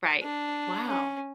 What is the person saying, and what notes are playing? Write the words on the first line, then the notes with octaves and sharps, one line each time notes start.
Right, wow.
D4
C#4